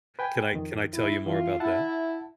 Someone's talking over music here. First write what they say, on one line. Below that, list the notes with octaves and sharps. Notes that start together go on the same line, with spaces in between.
Can I can I tell you more about that?
B4 G5 G#5
F2 D#3
E4
E3 F4
E4 E5 F#5 A5